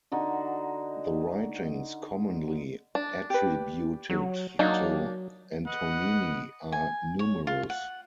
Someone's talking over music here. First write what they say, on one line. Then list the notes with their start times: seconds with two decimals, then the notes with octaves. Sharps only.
The writings commonly attributed to Antonini are numerous.
0.11 D3 D#4 F#4
2.95 D4
3.30 G4 B4
4.10 F#3
4.59 F#3 A#3 D4 D#4
5.67 B4 D#5 F#5
6.72 G#5
7.19 C#5
7.47 F4
7.70 F#5